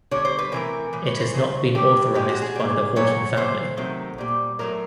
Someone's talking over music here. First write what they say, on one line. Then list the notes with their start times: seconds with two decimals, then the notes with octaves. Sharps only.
It has not been authorized by the Haughton family.
0.11 D3 G3 C#5
0.25 C5
0.39 B4
0.52 C3 E3 A3 A#4
0.93 A2 E3
1.07 C#5
1.20 C5
1.34 C#3 F#3 A3
1.75 B2 F#3 A3 G4
2.14 A#2 F3 G#3 G4
2.29 F#4
2.42 G#4
2.55 A#2 G3
2.96 A#2 F#3 A3 C#5
3.37 A#2 F#3 A3 C5
3.77 C3 D#3 F#3 A3
4.18 A#2 G3
4.59 A2 F#3 A3 A#4